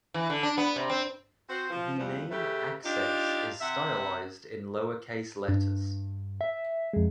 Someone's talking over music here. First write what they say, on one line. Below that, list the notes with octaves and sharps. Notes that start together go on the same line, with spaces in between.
The name "access" is stylized in lowercase letters.
E3
D3
D4
B3
C3
C4
C4 F#4 C5
F3
E2 F3 G3 B3
C#3 A3 G4 B4
D4 D#4 F4 G4
C3 E5 F#5
G2
E5
F2 G#3